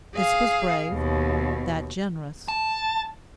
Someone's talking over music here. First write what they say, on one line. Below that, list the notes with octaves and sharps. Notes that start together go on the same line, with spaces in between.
This was brave, that generous.
G#4 F5
D#2 B2
A5